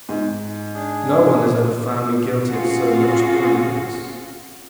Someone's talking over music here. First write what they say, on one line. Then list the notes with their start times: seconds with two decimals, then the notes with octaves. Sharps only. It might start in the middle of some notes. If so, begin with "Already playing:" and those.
No one has ever found me guilty of so much prudence.
0.09 G#2
0.74 D4 G#4
2.48 C4 C#4 F4 F#4 G#4 A4